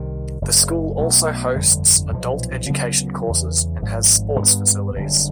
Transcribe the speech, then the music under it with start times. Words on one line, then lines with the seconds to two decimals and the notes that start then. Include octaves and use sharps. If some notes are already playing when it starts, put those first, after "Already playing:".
The school also hosts adult education courses and has sports facilities.
Already playing: C2 C3 D#3
0.42 F#1 F#2 C#3
0.98 B1 B2 F#3 A3
1.55 G1 F2 D3 G3
2.12 B1 A#2 F3
2.69 D2 C#3 F#3 B3
3.26 E2 C#3 E3
3.82 G#1 G#2 F3
4.40 G2 D#3 G#3 B3
4.95 F#1 F#2 D3 G3